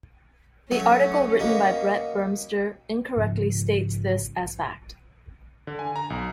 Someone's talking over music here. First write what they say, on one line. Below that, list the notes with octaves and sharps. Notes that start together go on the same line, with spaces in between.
The article written by Brett Burmster incorrectly states this as fact.
F#3 A3 C#4
B2 A#3
G#2 C#3 F3
D3
G#5
A#5
B1